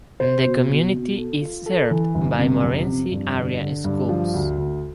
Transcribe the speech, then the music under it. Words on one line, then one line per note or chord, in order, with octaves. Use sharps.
The community is served by Morenci Area Schools.
C5
B2
B2
B2
A4
F4
A4
E3
G1
C3
F2
F2
G2
D3
D3
G2
F3
D2
D2